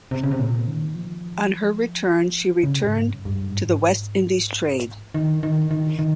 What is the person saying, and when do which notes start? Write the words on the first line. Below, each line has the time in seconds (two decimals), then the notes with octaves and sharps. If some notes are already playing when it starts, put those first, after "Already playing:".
On her return she returned to the West Indies trade.
0.11 C3
0.23 C#3
0.31 C3
0.39 A#2
0.67 D#3
0.95 F3
2.63 C#3
2.84 G#2
3.05 G2
3.25 G2
3.47 G#2
5.14 D#3
5.43 D#3
5.71 D#3
5.99 D#3